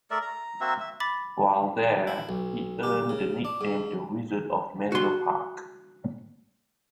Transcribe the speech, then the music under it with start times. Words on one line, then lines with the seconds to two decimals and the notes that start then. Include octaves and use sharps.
While there, he earned the nickname "the Wizard of Menlo Park".
0.11 A3 A#4 D5 E5
0.22 A#5
0.60 A#3 C4 F#4 E5
0.80 E5
1.00 B5 D6 A6 B6
2.07 E4
2.29 B1
2.83 G4
3.09 C#3
3.45 D4
3.61 G#2
4.92 F#4 C6